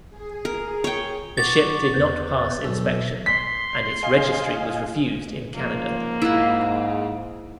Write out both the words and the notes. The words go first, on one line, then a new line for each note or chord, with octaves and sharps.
The ship did not pass inspection and its registry was refused in Canada.
G#4
A#4
C#5 G5
F#5 C#6 D6 A6
E2 B4 C5
B1 A4
C6 B6
D#5 F5 G#5
C#2 G#2 F3 A#3
G#2 E4 F4 G#4 F5 F#5